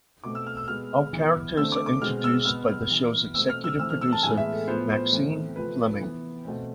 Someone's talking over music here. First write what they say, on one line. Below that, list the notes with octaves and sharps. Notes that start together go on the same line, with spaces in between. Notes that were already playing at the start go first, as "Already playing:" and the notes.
All characters are introduced by the shows executive producer Maxine Fleming.
B2 A3 C4 D6
E6
F6
E6
B2 G#3 B3 F6
E3 B3
D3 A3 C4 E6
D6
D6
B2 G#3 C4 F6
E6
B2 G#3 B3 F6
E3 B3
B2 A3 C4 E6
F6
E6
E3 A3 C4 E6
F6
E6
A5
A2 E3 G#3 B3 G#5
E5
A4
A2 F3 B3 C5
C5
E3 A3 C4
C3 F3 A3 C4 B4
E3 B3
B2 A3 C4